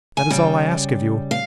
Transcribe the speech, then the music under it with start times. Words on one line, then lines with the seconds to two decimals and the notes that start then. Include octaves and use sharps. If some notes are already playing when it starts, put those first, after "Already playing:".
That is all I ask of you.
0.17 G#5
0.30 C#3 G3 G5
1.31 F5